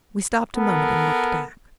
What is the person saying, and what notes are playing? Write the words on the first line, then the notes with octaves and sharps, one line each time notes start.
We stopped a moment and looked back.
B3 A4 A#4